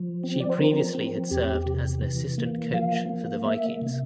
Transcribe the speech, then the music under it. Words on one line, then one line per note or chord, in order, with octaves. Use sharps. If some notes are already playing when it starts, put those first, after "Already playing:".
She previously had served as an assistant coach for the Vikings.
Already playing: F3
C4
D5
C5
F3 A#4
C4
E2 G4
C3
E3
A#3
F3 F5
A#3
A#3 E5
C3